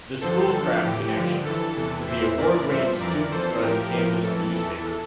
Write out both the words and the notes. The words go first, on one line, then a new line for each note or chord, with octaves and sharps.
The "Schoolcraft Connection" is the award-winning student-run campus newspaper.
G2 D3 F3 A4 C5
E2 D3 F3 A4
A2 E3 G4
G2 D3 F3
G2 E3 A4
E2 C3 E3
E2 E3 C5 E5
A2 E3 A#4 D5
G2 F3 C5 E5
F2 E3 A#4 D5
F2 E3 A4 C5
A2 F3 G4 A#4
A2 F3
F2 E3 A4
E2 E3 A4